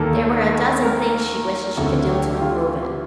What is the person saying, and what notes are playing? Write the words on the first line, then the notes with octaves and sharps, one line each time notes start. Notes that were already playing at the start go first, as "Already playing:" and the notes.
There were a dozen things she wished she could do to improve it.
Already playing: D#2 D#3 A#3 A4
A#4
D2 D3 A3 C4 A4
G4
G4
F4